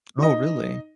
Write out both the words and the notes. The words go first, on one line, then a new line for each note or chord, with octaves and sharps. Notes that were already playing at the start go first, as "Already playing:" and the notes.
Oh, really?
D#4 D#5